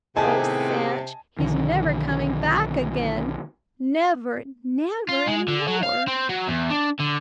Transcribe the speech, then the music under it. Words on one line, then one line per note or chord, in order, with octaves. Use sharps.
"Oh, Sanch, he's never coming back again; never, never any more!"
A2 C3 D#3 B3 G#4 D#5 G#5 A5
B1 D3 D#3 F3
F4
G#3
D3
F#3
F5
C4
F#3
E2
D4
D3